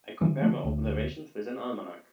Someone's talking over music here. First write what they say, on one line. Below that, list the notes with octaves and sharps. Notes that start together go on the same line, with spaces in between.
I compared my observations with an almanac.
D3 E3 G3
F3 A3
D2